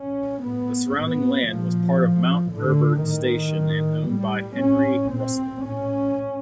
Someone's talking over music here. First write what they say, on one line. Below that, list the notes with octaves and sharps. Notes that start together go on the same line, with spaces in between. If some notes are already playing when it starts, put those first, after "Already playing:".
The surrounding land was part of Mount Herbert station and owned by Henry Russell.
Already playing: C#4
A2 B3
A2 B3
A#2 F3
A2
A2 D3
A2 D#3
A2
A2 G3
A2 C#4
A#2 C4
A2 C#4